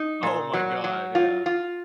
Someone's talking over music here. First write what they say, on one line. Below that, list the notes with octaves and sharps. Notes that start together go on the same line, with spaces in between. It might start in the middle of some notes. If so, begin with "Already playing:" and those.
Oh my god. Yeah.
Already playing: D#4
A#2
F#3
F#3
F4
F4